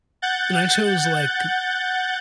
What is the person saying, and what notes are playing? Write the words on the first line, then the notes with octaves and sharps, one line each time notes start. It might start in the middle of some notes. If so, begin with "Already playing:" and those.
And I chose, like,
F#5 F#6 G6 A6